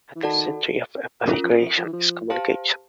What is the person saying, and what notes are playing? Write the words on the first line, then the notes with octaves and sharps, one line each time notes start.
At the centre of empathy creation is communication.
E3
D#3 F#4 A4 D5 F#5 A5
E3 C#4 F4 A#4
F3
F3
F3
E3
F3
G4 C5 F5 A5